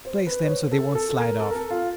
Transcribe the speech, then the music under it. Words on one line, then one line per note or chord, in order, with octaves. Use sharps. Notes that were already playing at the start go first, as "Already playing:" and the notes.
Place them so they won't slide off.
C5
B4
C#5
C5
A4
A4
A4
A#4
A4
A#4
A4
F4